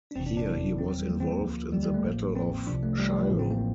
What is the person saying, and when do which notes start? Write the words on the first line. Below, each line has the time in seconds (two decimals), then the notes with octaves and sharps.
Here he was involved in the battle of Shiloh.
0.11 D4
0.16 G1 F2 C3 E3 C4
0.26 D4
0.37 D4
0.47 E4
0.78 E2 E3 C4
0.89 C4
0.99 G3
1.09 A#3
1.20 C4
1.31 A#3
1.41 D2 D3 F3
1.72 G3
1.83 G3
1.94 A3
2.04 A1 A2 F3 A#3
2.35 C4
2.66 C2 C3 F3 D4
2.83 A3
2.98 G3
3.09 G3
3.19 F3
3.29 A1 A2 E3 F3
3.39 C4
3.50 A#3